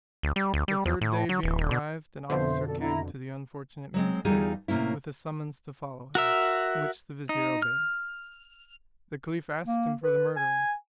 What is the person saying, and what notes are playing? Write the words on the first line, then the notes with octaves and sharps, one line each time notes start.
The third day being arrived, an officer came to the unfortunate minister, with a summons to follow him, which the vizier obeyed. The caliph asked him for the murderer.
D2
G3
D2
G3
E2
A2
F#3
D1
D#1
B2
F2 B2 D3 C5 E5
A4 D5
E4 A#5
F#3 G#3 C4
E2 G3 D#4 F4 G#4 G#5
A2 C3 A#3 C#4 E4
F#4 A#4 E5
D#4
F6
A#3
B4
G#5